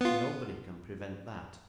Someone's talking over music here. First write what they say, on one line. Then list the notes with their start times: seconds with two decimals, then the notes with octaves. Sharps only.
Nobody can prevent that.'
0.01 B3 F4